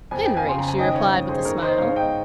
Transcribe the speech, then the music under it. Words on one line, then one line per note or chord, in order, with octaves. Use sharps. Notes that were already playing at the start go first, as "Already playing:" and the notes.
"Henry!" she replied with a smile.
F2 G#5
G5
F5 G#5
C#3 C6
A#5
G#5
D#3 D#5 G5
C#5 F5
G2
G#4 C5
D#3 A#4 C#5
C5 D#5
G#2 C#5 F5
D#5 G5